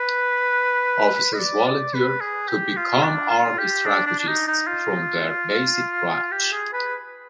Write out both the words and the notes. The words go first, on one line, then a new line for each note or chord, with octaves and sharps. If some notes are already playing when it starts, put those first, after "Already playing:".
Officers volunteer to become Army Strategists from their basic branch.
Already playing: B4
D#5
D5
D5
B4
G#4
G4
F4
D4
F4
G4
D4
D4
D4
D#4
D#4
F4
G4
G#4
B4